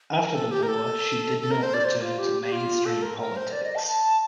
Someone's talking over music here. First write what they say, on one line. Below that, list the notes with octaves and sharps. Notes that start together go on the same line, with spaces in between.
After the war she did not return to mainstream politics.
A#4
A4
G4
A#4
A4
A4
A#4
C5
D5
C5
F4
G4
G4
F4
A4
A#4
A#4
C5
D5
D#5
A5
A5